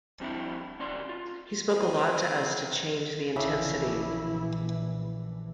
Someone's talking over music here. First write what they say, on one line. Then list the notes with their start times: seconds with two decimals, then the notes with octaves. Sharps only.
He spoke a lot to us to change the intensity.
0.20 F3 G3 C4 D4 E4
0.79 D2 C#4 D5 C6
1.09 F4
1.69 D#3 E3 C4
3.36 A#1 C#3 E3 D4 E4 E5